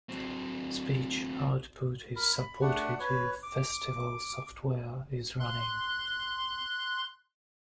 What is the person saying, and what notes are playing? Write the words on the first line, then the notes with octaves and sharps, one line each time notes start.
Speech output is supported if Festival software is running.
F#3 C4
A#4 B5
B5
A3 D4 F#5
B4 C#5
D6
C6 F#6